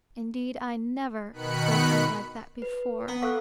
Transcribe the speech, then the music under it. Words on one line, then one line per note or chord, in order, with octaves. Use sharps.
Indeed, I NEVER--broke out like that--before.
B2 D#3 B5 F#6 C#7
B4
B3 F#5 A#5
A4 F5 C#6 D6 E6 F#6